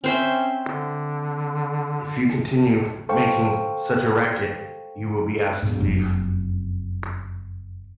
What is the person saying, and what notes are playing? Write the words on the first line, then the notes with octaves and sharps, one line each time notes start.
If you continue making such a racket, you will be asked to leave.
C4 C#4 C5 E5
D3
A4 C5 F5 G5 C#6
G#2 B2
F#1 F2 F#3